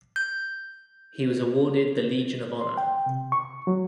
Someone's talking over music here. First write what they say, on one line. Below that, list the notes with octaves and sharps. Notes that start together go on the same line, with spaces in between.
He was awarded the Legion of Honour.
G6
C6
G5
C3
C#6
F#3